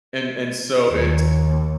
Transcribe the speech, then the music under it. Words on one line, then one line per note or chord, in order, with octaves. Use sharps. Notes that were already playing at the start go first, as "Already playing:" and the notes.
and and so it's
D#2